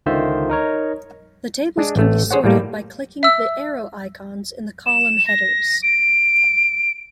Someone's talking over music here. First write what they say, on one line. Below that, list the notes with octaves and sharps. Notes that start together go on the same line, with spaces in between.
The tables can be sorted by clicking the arrow icons in the column headers.
C#2 D3 D#3 F4 C5 E5
D#4 A#4 C#5
G#3 D4
A1 A3
G#4 C5 C#5 F#5
A2 G3 A#3
E5 E6
E7
A#6
D7